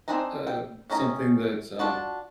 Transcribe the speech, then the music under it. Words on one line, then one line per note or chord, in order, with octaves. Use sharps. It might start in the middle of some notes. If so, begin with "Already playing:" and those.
uh, something that's, um
C4 D4 D#4 G#5 A#5
G5
D#3 C#4 D#5 A#5
D4 F4 F#4 A5